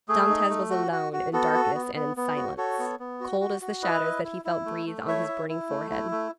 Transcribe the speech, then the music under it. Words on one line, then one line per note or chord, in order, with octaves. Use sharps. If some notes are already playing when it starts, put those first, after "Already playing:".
Dantes was alone in darkness and in silence--cold as the shadows that he felt breathe on his burning forehead.
A3 G#4
D#4
A3
F#4
F#4
F#4
B3 F#4 A4
F#4
B3
B3
B3
F#4
F#4 A4 C#5
B3
B3
F#4
F#4
F#4
E4 B4 D#5
E4
E4
E4
A3
A3
E4 C#5 E5
E4
E4
A3
E4
A3